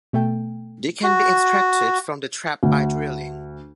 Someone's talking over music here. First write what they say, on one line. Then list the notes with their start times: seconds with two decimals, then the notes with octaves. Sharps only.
They can be extracted from the trap by drilling.
0.13 B2 A3 A4 G5
1.03 F#4
2.63 D2